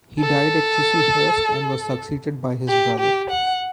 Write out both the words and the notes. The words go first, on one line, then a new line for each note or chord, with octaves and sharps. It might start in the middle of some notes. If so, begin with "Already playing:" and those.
He died at Chislehurst, and was succeeded by his brother.
A4
G4
G4
F#5